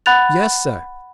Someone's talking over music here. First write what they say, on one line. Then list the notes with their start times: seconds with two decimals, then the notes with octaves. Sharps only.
"Yes, sir."
0.06 F#5 B5 F#6 A6 F7